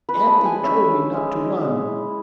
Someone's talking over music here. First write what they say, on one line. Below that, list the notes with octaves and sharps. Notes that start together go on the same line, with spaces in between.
'Aunty told me not to run.
B4
G#3
A5
E4
G#5
C#4 E5
C#4
G#3
G#3
G#3
E4